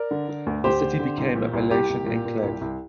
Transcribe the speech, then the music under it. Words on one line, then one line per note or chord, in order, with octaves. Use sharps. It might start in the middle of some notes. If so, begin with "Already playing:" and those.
The city became a Malaitan enclave.
Already playing: A#4 D5
D3
D3
D2
D2 G4 C5
D3
D3
C2
A#2
C2
C2 G4
C2
A#2
A#2
C2
C2